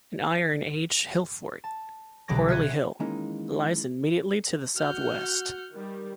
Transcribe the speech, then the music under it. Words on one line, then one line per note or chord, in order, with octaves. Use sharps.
An Iron Age hillfort, Quarley Hill, lies immediately to the southwest.
A5
C2 B2 D3 F#3 D6 A#6
E5 F6 F#6 G#6 C#7 D#7
D#3 E3 G#3 A#3 C#4 D#4
F#4 F#5 F6 G6
D#3 G3